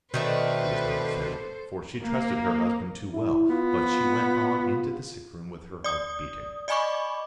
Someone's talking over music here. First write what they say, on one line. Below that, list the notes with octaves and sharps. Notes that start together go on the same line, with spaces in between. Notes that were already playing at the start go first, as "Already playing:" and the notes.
She was not offended, for she trusted her husband too well; but she went on into the sick-room with her heart beating.
B2 D#3 A3 D4 A4 B4 C5
A#3
E4
B3 F4
D5 D#6
D5 D#5 G#5 B5 C#6 D6